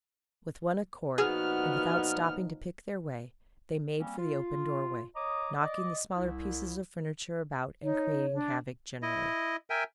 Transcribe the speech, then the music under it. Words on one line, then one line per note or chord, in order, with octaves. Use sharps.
With one accord, and without stopping to pick their way, they made for the open doorway, knocking the smaller pieces of furniture about and creating havoc generally.
A#2 F3 B3 D#4 F#4 G#4 F6
G3 A#3 C4 C#4
F4
C#5 D#5 A#5 D6 D#6
D5 D#5
C2 E4
D#4 C#5
D4
E4 D#5
A#4 E5 G5 G#5